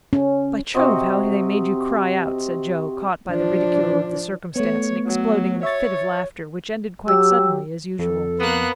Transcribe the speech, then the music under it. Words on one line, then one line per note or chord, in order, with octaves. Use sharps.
"By Jove, how they made you cry out!" said Joe, caught by the ridicule of the circumstance, and exploding in a fit of laughter which ended quite suddenly, as usual.
C#4
C3 C4 F#4 D#5
F3 D4
A3 B3 C#5
F#3
C#5 E5 C#6 A6
F#3 G4 E6
F2 A4
A#3 B3 F#6